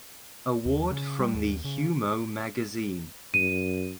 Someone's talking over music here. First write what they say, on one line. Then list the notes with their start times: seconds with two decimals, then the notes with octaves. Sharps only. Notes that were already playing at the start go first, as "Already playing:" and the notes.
Award from the Humo magazine.
0.66 D#2
0.91 C#3
1.19 G3
1.34 D#2
1.64 C#3
3.34 F#2 D#7